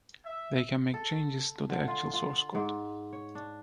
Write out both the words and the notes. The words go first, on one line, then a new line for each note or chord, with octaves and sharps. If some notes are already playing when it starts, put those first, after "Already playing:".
They can make changes to the actual source code.
E5
A4
D3
F4
F4
G#2
C#5
D4